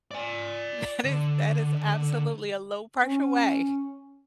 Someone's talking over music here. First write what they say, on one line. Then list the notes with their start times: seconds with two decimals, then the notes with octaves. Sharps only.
That is that is absolutely a low-pressure way
0.11 D5 G#5
1.04 D3
3.04 C#4